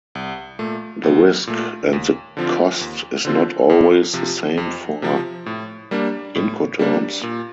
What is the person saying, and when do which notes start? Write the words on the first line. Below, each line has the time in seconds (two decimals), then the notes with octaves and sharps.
The risk and the cost is not always the same for Incoterms.
0.15 C2
0.59 A#2 A3
1.03 C2
1.47 A#2 A3
1.93 D#2
2.37 D3 F3 C4 F4
2.81 D#2
3.25 D3 F3 C4 F4
3.69 F2
4.13 C3 F3
4.57 F2
5.02 C3 F3
5.46 A2
5.91 G3 A#3 D4
6.35 A2
6.79 G3 A#3 D4
7.23 A#2